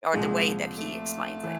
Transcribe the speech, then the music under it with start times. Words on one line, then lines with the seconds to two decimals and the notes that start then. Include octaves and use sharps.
or the way that he explains it.
0.13 C2 A#2 F3 G#3
0.78 A3
1.44 E3